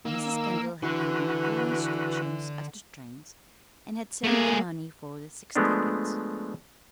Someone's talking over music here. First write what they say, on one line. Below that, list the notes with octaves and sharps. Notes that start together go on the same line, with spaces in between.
Mrs. Kendall had given full instructions as to trains, and had sent the money for the six tickets.
D#3 A#3 E6
D3 E3 F#4 B4
A3 A#3 G#4
F3 G#3 A3 B3 D4